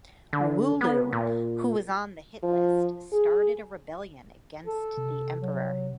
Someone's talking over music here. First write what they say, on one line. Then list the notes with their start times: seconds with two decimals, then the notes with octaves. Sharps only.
Wulu, who was on the hit list, started a rebellion against the emperor.
0.33 D3
0.81 B3
1.13 A#2
2.43 F3
3.12 G#4
4.67 A4
4.97 C3
5.41 F#3